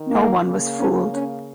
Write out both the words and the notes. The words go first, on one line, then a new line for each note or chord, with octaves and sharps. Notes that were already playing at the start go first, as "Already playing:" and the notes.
No one was fooled.
Already playing: D#3
A#3
C#3 A#3
C#4
C#4